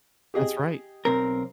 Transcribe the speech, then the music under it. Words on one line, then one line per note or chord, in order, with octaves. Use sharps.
That's right.
G4 G#4 D#5
B1 C4 A#4